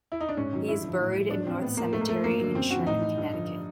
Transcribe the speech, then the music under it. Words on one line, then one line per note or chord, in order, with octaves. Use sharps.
He is buried in North Cemetery in Sherman, Connecticut.
E4
D#4
D4
G#2 C#4
D#3 F#3
G2 E4
D3 F3
A2
F3
G#2 D4
E3 C4
A2 B3
F3 A#3
G#2 A3
A#3
F3 A3
G2 A#3
D3 F#3
F#2 C4
D3 F3 F#4
A2 D#4
E3
G2
D3 F3